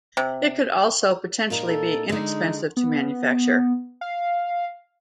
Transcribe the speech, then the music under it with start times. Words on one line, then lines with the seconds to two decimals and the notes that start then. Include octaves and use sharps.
It could also potentially be inexpensive to manufacture.
0.17 C3
1.50 A#2 D#4 A#4
1.68 A4
2.09 D3 G#3 D#4
2.77 B3
4.01 F5